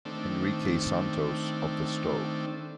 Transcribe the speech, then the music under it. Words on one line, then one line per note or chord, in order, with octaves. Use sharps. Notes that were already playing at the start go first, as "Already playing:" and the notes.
Enrique Santos, of the Sto.
D#3 A3 C4 D4